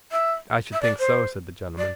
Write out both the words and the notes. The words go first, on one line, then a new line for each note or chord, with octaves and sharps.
'I should think so,' said the gentleman.
E5
E5
D5
C5
D5